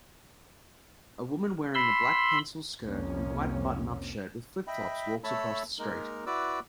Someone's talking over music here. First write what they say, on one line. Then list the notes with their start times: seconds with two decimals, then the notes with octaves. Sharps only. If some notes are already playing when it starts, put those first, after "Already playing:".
A woman wearing a black pencil skirt and white buttonup shirt with flipflops walks across the street.
1.75 B5 C6 E6
2.82 C2 F2 A#3 C#4
4.67 D#5 E5 G5 B5
5.24 A3 A4 C#5 A5 B5 E6
5.79 G#3 A#3 D#4 A#4
6.26 E4 F#4 B4 D5 D6 E6